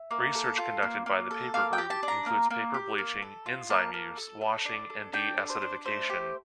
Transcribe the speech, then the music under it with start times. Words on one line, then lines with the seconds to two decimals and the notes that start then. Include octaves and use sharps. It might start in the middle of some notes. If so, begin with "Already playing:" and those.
Research conducted by the Paper Group includes paper bleaching, enzyme use, washing, and de-acidification.
Already playing: E5
0.11 A#3
0.35 A4
0.58 F4
0.82 A#3
1.06 A#3
1.31 A4
1.54 A#3 F5
1.73 G5
1.78 G4
1.90 A5
2.03 D4
2.08 A#5
2.26 A#3
2.50 A#3
2.74 G4
2.98 A#3
3.22 A4
3.46 F4
3.70 A#3 A5
3.94 A#3
4.17 A4
4.41 A4
4.65 D4
4.90 A4
5.13 D4 G5
5.37 A4
5.50 C5
5.62 D4
5.85 A3 C5
6.10 G4